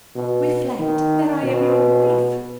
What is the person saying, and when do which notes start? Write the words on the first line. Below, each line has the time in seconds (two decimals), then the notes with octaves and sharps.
"Reflect that I am your wife!"
0.15 B2
0.79 D#3
1.43 B2